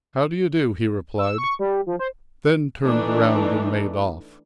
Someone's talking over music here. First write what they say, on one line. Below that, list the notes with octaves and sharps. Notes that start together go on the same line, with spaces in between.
"How do you do?" he replied; then turned around and made off.
E6
C#6
G3
F3
C5
E3 A3 D4 D#4